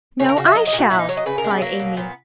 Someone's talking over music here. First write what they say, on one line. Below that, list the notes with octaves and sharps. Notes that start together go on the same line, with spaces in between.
"No, I shall!" cried Amy.
C#3 B4 C#5
A#4
C#3 F#4
E5
F#3 D#5
D#5
A#2
F#4
A#2 E4
D#4
F#3 C#5
D#5
C#3 B4
A#4
G#3
B3
F#3 A#3
B2
A#2 B3